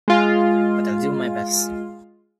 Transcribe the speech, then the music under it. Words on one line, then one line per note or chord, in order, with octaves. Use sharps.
But I’ll do my best.
G#3 F4